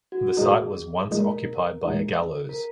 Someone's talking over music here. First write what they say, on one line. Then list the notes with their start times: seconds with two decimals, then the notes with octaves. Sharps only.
The site was once occupied by a gallows.
0.12 F#4
0.36 A#2 G#3 D#4 G#4
1.11 A#2 G#3 D#4 A#4
1.85 A#2 G#3 D#4
2.49 A#4